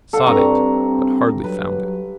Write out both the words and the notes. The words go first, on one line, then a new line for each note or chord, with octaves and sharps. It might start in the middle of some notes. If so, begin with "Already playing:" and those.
Sought it, but hardly found it.
A4 F5 F#5
G2 C4 A#5 C#6
F#3 B4